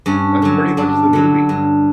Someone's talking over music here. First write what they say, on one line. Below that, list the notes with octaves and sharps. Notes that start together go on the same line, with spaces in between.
that's pretty much the movie.
G2 C#4
D3 F#3
G2 D4
D3 F#3
G2